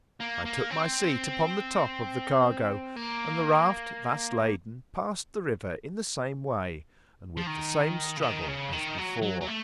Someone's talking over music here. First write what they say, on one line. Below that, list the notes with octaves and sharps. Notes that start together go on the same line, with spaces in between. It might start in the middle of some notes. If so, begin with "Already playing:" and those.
I took my seat upon the top of the cargo, and the raft thus laden passed the river in the same way, and with the same struggle as before.
A#3
A#3
C4
A#3
F3
D#3
C#3
D#3
C#3
D#3
F#3
F#3
F#3
A3